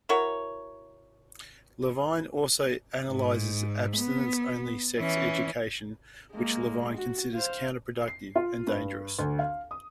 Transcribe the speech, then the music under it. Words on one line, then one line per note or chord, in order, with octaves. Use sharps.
Levine also analyzes abstinence-only sex education, which Levine considers counter-productive and dangerous.
E4 F#4 A#4 C#5
G#2
B3
E3 C#4
G#3 A#3
F#4
C5 F5
C7
F4
G2
D2
F5
D#6